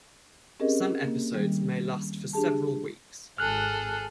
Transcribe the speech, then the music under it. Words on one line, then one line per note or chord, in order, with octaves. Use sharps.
Some episodes may last for several weeks.
C4 C#4 G4 G#4 A#4 D#5
A#3
D#3 G3
D4 G4 G#4 A5
G#1 G#4 A4 F6 F#6